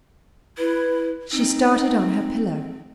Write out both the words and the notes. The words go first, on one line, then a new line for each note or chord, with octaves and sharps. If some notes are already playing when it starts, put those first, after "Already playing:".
She started on her pillow.
E4 B4
C4 D#4